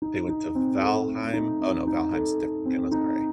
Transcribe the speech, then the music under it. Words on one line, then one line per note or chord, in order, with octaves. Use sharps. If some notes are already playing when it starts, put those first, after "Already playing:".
They went to V Valheim. Oh, no, Valheim's a different game, I'm sorry.
D#4
D#4
C4
A4
A3
D#4
C4
D#4
A4
A4
C4
D#4